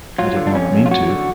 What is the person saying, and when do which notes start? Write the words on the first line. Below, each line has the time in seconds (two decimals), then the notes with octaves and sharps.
I did not mean to.
0.18 F#3 F4
0.36 D3
0.47 D4
0.54 F2 C#4
0.73 F2
0.86 F4
0.91 F#3 F#4
1.09 D3